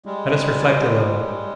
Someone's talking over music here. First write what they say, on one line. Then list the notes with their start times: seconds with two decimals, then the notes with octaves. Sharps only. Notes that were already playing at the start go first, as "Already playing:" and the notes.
Let us reflect a little.
0.06 G3 G#3